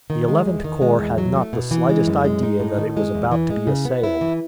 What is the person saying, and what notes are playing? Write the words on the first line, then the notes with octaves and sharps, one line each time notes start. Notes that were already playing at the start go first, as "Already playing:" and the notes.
The Eleventh Corps had not the slightest idea that it was about to be assailed.
D#3
G#3
E2
D#3
G#3
E2
F#3
A3
B2
E3
G#3
F#2
G#3
D#4
A2
D#3
G#3
E2
E3
G#3
C#3
B3
E4
E3